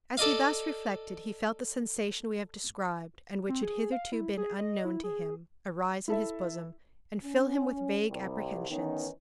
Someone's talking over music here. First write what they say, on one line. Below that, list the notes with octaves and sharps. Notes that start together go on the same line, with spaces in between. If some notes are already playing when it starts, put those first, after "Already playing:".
As he thus reflected, he felt the sensation we have described, and which had hitherto been unknown to him, arise in his bosom, and fill him with vague apprehensions.
A4 D5 D#5 F5
C4
G#4
F5
E4
G#4
D#5
E4
G#4
E4 A4 E5
C#4
C2
D#3 E3 B3 C#4 D#4